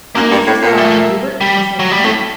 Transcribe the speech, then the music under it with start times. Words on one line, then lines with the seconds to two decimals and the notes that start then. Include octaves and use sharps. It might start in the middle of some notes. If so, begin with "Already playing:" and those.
"Give us a song, Hubert," said one.
0.15 F#2 A#3
0.31 G2
0.47 A2
0.62 A#2
0.78 A3
1.41 G3
1.79 F#3
1.92 G3
2.04 A2 A3